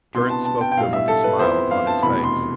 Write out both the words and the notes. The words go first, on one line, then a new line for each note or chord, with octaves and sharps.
Durrance spoke them with a smile upon his face.
C2 B2 B3 C6
A5
A5
G5
G5
B1 A2 G3 F5
E5
A4
B4
F2 E3 B3 E4 C5
F5
A5
F1 E2 B2 B5
C6